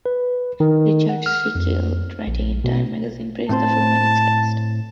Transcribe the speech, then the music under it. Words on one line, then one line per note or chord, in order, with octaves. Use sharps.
Richard Schickel, writing in "Time" magazine praised the film and its cast.
B4
D#3
F#5
F6
F2
A#1
B2
A2 C4 C5 A5